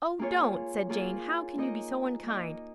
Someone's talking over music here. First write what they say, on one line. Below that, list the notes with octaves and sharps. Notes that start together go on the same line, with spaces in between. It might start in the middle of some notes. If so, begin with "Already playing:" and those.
'Oh, don't!' said Jane; 'how can you be so unkind?
A#3 F4 G#4 C#5
A#3 F4 G#4 C#5
A#3 D#4 A#4 D#5
A#3 D#4 A#4 D#5